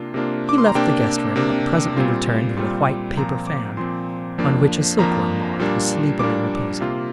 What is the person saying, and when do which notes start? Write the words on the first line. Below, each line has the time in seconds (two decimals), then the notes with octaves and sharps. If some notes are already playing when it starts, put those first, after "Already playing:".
He left the guest-room, and presently returned with a white paper-fan, on which a silkworm-moth was sleepily reposing.
Already playing: C3 A#3 D4 F4
0.14 C3 A#3 D4 F4
0.49 D6
0.58 C6
0.66 A#5
0.75 C3 A#3 D4 G5
1.36 C3 A#3 D4
1.96 A#2 G3 C4 F4
2.57 A#2 G3 C4 F4
3.17 A#2 F3 C4 A#5
3.47 D6
3.77 A#2 F3 C4 C6
4.38 F2 F3 A#3 D4
4.99 F2 F3 A#3 D4 A#5
5.59 A#2 G3 A#3 D4
6.19 A#2 G3 A#3 D4 D6
6.80 C3 A#3 F4